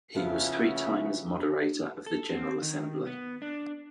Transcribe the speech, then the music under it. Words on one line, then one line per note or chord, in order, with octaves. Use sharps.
He was three times Moderator of the General Assembly.
C#3 F3 B3 E4 F#4 E5 F5
A4
C4
D#3
B3
D4